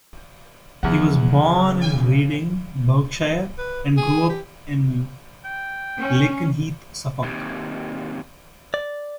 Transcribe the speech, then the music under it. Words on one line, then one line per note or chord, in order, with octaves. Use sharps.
He was born in Reading, Berkshire and grew up in Lakenheath, Suffolk.
E2 C#3 F3 F#5
B4
G#4
G4
G5
C#4
D#2 C3
D5